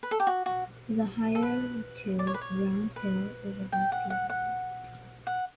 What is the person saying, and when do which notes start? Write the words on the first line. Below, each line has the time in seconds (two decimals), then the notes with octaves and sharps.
The higher of the two, Round Hill, is above sea-level.
0.03 B4
0.11 A4
0.20 G4
0.27 F#4
0.46 F#4
1.35 A4
1.43 B4
2.19 D5
2.27 C#5
2.34 B4
2.41 C#5
2.96 B4
3.72 G5
3.92 F#5
4.10 F#5
4.30 F#5
5.27 F#5